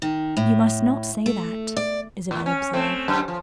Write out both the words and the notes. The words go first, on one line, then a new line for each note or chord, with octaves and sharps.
"You must not say that," Isabel observed.
D#3
A2
A3
D5
A2
C#4
A3 C4
F#2
F3